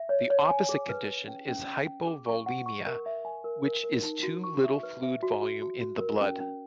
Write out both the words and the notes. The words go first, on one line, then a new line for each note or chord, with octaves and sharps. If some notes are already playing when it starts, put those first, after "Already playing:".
The opposite condition is hypovolemia, which is too little fluid volume in the blood.
Already playing: E5
C#5
C#5
G#5
G#4
B4
B4
C#4
C#4
C#4
C#4
G#4
C#6
F#5
C#6
A#4
E5
G#5
A#4
A#4
A#4
D#4
F#4
C#6
E5
B4
E5
F#4
F#4
F#4
F#4
A#4
C#4
C#4